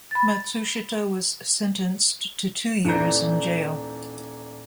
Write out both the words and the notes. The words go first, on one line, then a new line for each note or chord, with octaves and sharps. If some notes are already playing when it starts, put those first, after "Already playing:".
Matsushita was sentenced to two years in jail.
B5 A6
D#1 E3 D4 A#5 G6